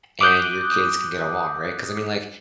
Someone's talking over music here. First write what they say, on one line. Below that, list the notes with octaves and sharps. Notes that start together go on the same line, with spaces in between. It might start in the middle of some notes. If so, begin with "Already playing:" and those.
and your kids can get along, right, 'cause I mean, like
D6 D#6 F#6 G6